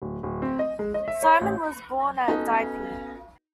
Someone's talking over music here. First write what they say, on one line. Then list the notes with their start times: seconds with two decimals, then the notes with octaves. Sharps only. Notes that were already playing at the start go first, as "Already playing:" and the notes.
Simon was born at Dieppe.
0.02 D1
0.23 D1
0.42 C4
0.59 D#5
0.79 G#3
0.94 D#5
1.08 E5
1.23 C#5
1.41 A1
2.28 B3 C#4 D#4 F#4 A4